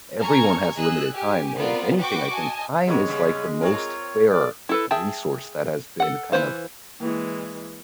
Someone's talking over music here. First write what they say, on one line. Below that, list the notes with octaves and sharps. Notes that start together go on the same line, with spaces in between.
everyone has limited time. If anything, I think time is, like, the most fair resource that has been, kind of,
A4 G#5 A#5 C#6 F6 G#6
G#4 D#5 E6 F#6
G4 G#5
B3 C4 F4 A#4 D5
F#4 B4 F#5 G5 C#6 D6
D#5 G#5 A5
C3 F#3 G#3 C#5
C#3 G3 B3
C4 F4 A#4 C#5
D5
E4 A4 B4
G#4 E5 G5 A5
A4 F#5
E3 E4 B4 C5 F5
E3 G#3 A#3 E4